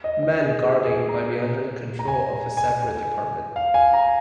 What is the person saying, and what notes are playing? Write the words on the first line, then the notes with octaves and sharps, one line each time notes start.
Manned guarding may be under the control of a separate department.
D#5
D#5
G#4
G#4
G#4
A#5
A#5
G#5
G#5
G#5
F5
G#5
A#5